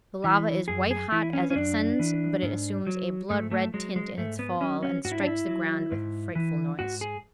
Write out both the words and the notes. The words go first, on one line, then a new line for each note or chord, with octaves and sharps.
The lava is white hot as it ascends, but it assumes a blood-red tint in its fall, and strikes the ground with a frightful noise.
E3
F#2 G#4
G#4
E3 E4
C#4
C#4
F#2 D4
E3
G#2
F#3
G#2 A3
A3
F#3 G#3
G#3
G#2 A3
B3
F#3 C#4
C#4
G#2 F#4
E4
D4
E4
F#3
G#2
E3
G#2 F#4
G#4